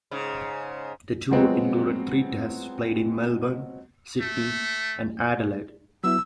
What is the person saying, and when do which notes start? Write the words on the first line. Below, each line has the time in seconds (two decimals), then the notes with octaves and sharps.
The tour included three Tests played in Melbourne, Sydney and Adelaide.
0.11 G#2 C#3
1.30 F3 F#3 G#3 B3 C4 F#4
4.21 A3
6.04 F#3 B3 E4 E6